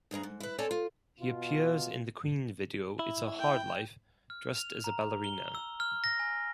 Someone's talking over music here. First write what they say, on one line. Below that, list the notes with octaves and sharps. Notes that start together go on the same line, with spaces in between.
He appears in the Queen video 'It's a hard life' dressed as a ballerina.
D2 G2 G#4 A#5
G#2
E4 B4
C4 A4 C#5 D5 G#5 A5
F4
B2 F4
E4
G5
F6
F7
A#5
G7
E6
F6
A#6
G#5